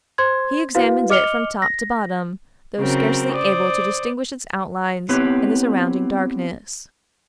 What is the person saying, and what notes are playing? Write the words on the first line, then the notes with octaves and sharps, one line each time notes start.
He examined it from top to bottom, though scarcely able to distinguish its outlines in the surrounding darkness.
C5 C6 G#6
E4 F#4 B4 F5
D#5 D6 F6 C#7 F7 G7
A#6
C#3 F#3 C4 A#4
C5 D5 D#6
B3 C4 E4 G4 B4 C#5